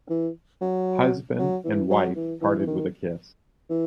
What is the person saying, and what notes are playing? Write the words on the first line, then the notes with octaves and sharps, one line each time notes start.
Husband and wife parted with a kiss.
E3
F#3
F#3
E3
F#3
E3
E3
E3
D#3
E3